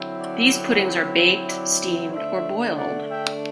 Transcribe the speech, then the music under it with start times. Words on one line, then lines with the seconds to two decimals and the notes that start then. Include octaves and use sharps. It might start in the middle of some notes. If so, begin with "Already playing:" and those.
These puddings are baked, steamed or boiled.
Already playing: D3 F#3 C4 E4
0.19 D5 F#5
1.47 D5 F#5
2.11 D3 A3 D4 C5 E5
2.76 D5 F#5
3.08 E5 G5